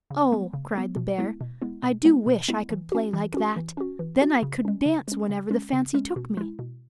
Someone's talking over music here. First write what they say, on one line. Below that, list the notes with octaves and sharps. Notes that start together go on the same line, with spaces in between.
'Oh,' cried the bear, 'I do wish I could play like that, then I could dance whenever the fancy took me.
C#3
G#3 B3
C#3
G#3 B3
B2
G#3 B3 E4
B2
G#3 B3 E4
B2
G#3 B3 E4
B2
G#3 B3 E4
E3
C#4 F#4
E3
C#4 F#4
E3
C#4 F#4
E3
C#4 F#4
C#3
G#3 C#4
C#3
G#3 C#4
C#3
G#3 C#4
C#3
G#3 C#4
B2
G#3 E4
B2